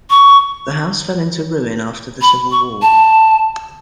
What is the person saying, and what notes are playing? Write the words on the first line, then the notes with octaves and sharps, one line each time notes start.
The house fell into ruin after the Civil War.
C#6
B5
C#6
A5